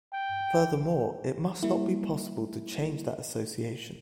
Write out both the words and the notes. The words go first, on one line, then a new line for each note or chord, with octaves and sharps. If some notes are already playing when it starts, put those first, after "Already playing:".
Furthermore, it must not be possible to change that association.
G5
G3 A#3 E4